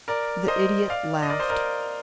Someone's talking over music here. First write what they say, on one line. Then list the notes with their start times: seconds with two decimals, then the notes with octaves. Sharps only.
The Idiot laughed.
0.08 A#4 D5
0.48 C5 D#5
0.89 D5 F5
1.22 D#5
1.30 A#4 D5
1.40 C5 D#5
1.50 A#4 D5